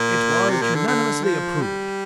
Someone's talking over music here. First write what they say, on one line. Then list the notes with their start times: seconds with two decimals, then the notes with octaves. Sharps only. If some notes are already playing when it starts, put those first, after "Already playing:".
It was unanimously approved.
Already playing: A#2
0.50 C3
0.62 A#2
0.75 D3
0.87 D3
1.24 F3
1.61 G3